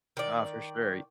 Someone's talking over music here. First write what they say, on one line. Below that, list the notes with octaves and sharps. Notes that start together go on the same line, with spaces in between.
Uh, for sure.
D#3 D5